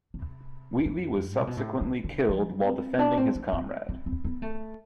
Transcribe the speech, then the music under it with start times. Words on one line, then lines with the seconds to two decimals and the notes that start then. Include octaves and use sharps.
Wheatley was subsequently killed while defending his comrade.
0.14 C3
0.85 F2
1.37 C3
1.47 B2
1.57 A2
1.81 D3
2.04 D3
2.29 F3
2.64 C4
2.99 D4
3.17 C4
3.35 D4
3.52 C4
3.89 C4
4.06 C4
4.24 B3
4.42 A3